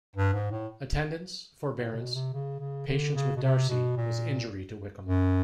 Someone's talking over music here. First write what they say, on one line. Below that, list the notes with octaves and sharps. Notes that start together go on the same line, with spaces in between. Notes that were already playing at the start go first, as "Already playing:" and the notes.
Attendance, forbearance, patience with Darcy, was injury to Wickham.
G2
G#2
A2
A2
C3
B2
C3
C#3
C#3
D3
C#3
B2
C3
B2
A#2
F#2